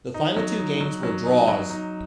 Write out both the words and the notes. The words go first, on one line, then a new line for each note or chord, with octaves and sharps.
The final two games were draws.
D#4
F#3
D#4
F#3
F#3
D#4
F#3
D#4